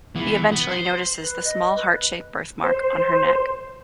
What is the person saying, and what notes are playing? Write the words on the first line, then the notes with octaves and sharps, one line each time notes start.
He eventually notices the small heart-shaped birthmark on her neck.
E3 B3
B3
C5
B4
D#5
B4
C5